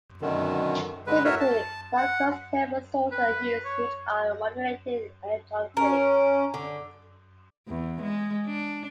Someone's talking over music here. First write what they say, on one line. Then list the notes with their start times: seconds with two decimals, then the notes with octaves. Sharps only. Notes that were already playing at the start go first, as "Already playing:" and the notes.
Typically, low cost thermal sources are used which are modulated electronically.
0.21 F#2 B2 D3 D#3
1.07 D3 G#3 B4
1.24 A2 F#4 A#4 C#5 E5
1.40 A5
1.98 F#5
3.12 B4
3.65 C#5
5.77 C#4 A#4
6.54 D3
7.68 E2
8.02 G#3
8.46 D4